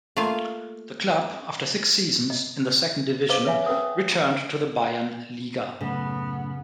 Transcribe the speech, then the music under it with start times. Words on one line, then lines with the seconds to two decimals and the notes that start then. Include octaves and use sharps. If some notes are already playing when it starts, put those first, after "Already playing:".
The club, after six seasons in the second division, returned to the Bayernliga.
0.17 A3 A#3 F4 F5 G#5
2.30 D#5
3.29 G#4 B4 C5 D#5 F5 D6
3.45 B4 C#5 E5 F5 G#5
3.66 C#4 A#4 B4 E5 F#5 D#6
5.81 F#2 A2 C#3 A3 B3